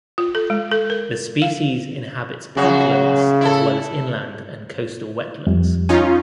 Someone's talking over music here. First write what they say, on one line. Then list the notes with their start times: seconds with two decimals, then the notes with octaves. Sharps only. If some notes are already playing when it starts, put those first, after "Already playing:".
The species inhabits peatlands as well as inland and coastal wetlands.
0.18 F4
0.35 A4
0.50 G#3
0.71 A4
0.90 A#4
1.42 F5
2.57 F#2 C#3 F#4
3.41 E4 A4
5.47 F2 G3
5.89 C#4 D#4 F4